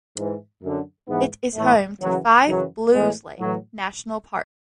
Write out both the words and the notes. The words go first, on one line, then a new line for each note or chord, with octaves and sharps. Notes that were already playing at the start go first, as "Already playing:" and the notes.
It is home to Five Blues Lake National Park.
G#2 E3
F#2 D3
G#2 E3 B3
A2 E3 A3
F#2 C#3 E3 F#3
F#2 C#3 E3 F#3
A2 E3 G#3
A2 E3 F#3